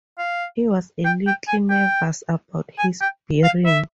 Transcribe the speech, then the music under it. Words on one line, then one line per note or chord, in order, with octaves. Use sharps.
He was a little nervous about his bearing.
F5
G5
G5
G#5
G5
G#5
G5
F5
E5